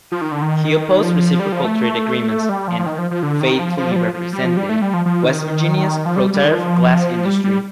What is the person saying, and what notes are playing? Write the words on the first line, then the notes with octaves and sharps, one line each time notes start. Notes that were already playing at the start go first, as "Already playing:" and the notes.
He opposed reciprocal trade agreements and "faithfully represented" West Virginia's pro-tariff glass industry.
F3
D#3
D3
D#3
F3
G3
F3
A3
G3
F3
F3
D#3
F3
F3
D3
D#3
F3
F3
G3
F3
F3
G3
F3
G3
A3
G3
F3
F3
D#3
F3
G3
G3
D#3
F3
G3
G3